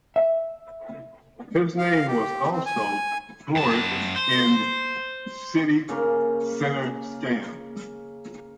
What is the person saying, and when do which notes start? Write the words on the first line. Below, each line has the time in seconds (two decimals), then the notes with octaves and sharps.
His name was also floored in Ludhiana City Centre scam.
0.16 E5
1.78 F5
2.07 G4
2.52 C4
2.66 G#5
3.56 F#2 A5
4.16 C5
5.89 C#3 A#3